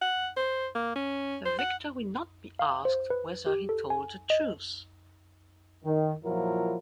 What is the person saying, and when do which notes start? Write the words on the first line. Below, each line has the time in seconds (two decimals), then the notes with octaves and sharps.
The victor will not be asked whether he told the truth.
0.02 F#5
0.37 C5
0.75 A#3
0.96 C#4
1.45 C5
1.59 F#5
2.59 F5
2.85 C5
3.10 B4
3.46 G4
3.69 A4
3.90 G#5
4.30 D#5
5.84 D#3
6.25 A#2 F3 F#3 E4 A#4